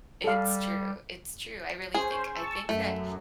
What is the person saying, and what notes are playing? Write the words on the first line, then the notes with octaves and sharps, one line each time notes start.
It's true, it's true. I really think I think that
G3 A4 F5
C#4 G#4 C5
A5 C#6 E6
F#2 A3